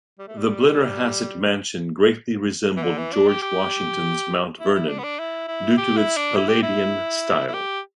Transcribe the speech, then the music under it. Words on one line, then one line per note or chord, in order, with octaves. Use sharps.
The Blennerhasset mansion greatly resembled George Washington's Mount Vernon, due to its Palladian style.
G3
A3
G3
E3
D3
E3
D4
G4
G4
E4
E4
D4
B3
D4
E4
E4
G4
E4
D4
E4
G4
E4
E4
G4